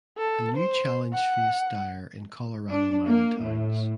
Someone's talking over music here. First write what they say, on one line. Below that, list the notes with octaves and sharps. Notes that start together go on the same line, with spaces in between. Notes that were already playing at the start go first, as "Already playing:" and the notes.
A new challenge faced Dyer in Colorado mining towns.
A4
C5
F#5
D4
A#3
A2